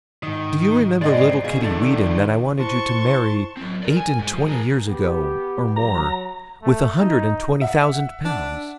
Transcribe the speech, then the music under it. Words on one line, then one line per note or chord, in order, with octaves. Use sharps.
Do you remember little Kitty Weadon that I wanted you to marry eight-and-twenty years ago, or more, with a hundred and twenty thousand pounds?
G#2 D#3 D#6
G#3 C4 D5 D#5 G5
B2 G#4 F5
D3 D#3 A3 D4 A4
E4 C5 A5 C6 C#6
F#3 C4
A#4 D5
G#5
G#2 G#3
F3
G#4 A#4
B3 G4
F#3 A#5
A3
D#4
E5 F#5
D4